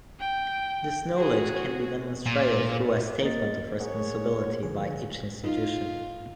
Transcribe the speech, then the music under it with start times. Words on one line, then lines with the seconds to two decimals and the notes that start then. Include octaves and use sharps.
This knowledge can be demonstrated through a statement of responsibility by each institution.
0.20 G5
1.16 F#4 G#4
2.26 A#2
3.22 G#1 A#3 D#5 A6
3.80 G#4 A#4 C#5 F#5
4.63 C2 D3 F3 G#4
5.44 D#4 F4